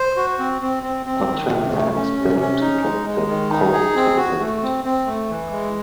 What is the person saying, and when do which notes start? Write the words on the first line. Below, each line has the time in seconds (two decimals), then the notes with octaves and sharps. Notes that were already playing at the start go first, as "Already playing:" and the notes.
A tramline was built to get the coal to the village.
Already playing: C5
0.17 F#4
0.39 C4
0.62 C4
0.83 C4
1.06 C4
1.28 D#3
1.51 C3
1.73 A3
1.95 C#4
2.18 C3
2.40 C#4
2.61 D#4
2.84 G#3
3.06 G#3
3.28 D#3
3.51 D#4
3.73 G#4
3.95 C4
4.17 F#4
4.40 A3
4.62 C4
4.84 C4
5.06 A3
5.29 E3
5.51 G#3